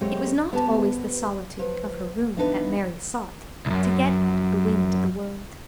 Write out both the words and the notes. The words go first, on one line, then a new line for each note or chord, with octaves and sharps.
It was not always the solitude of her room that Mary sought to get out of the wind of the world.
F#3 G#3 A3 C4 G4 C#5
D2 B3 G4 B4 A5
F3 B4
E3 B3 D4 D#4 A4 B4
C2 F#2